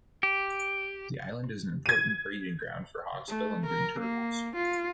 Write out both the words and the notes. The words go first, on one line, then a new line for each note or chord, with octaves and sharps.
The island is an important breeding ground for hawksbill and green turtles.
G4
G#6 D#7
A3
A#4
A#3
F4